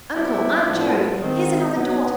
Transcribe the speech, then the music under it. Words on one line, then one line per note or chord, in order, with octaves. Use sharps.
'Uncle, Aunt Jo, here's another daughter!
B2 G3 C4 D4 E4
A2 F3 G#3 B3
D#3 G#3 C4
B2 F#3 B3